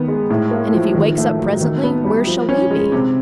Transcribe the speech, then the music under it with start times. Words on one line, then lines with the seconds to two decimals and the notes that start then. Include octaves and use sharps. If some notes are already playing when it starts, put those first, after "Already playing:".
And if he wakes up presently, where shall we be?
Already playing: D#3 B3
0.08 G#3
0.30 A2
0.51 A#3
0.74 F3
0.95 D#3
1.18 A3
1.39 F#3
1.61 D#3
1.83 B3
2.05 G3
2.27 F3
2.49 C#4
2.71 G#3
2.92 C3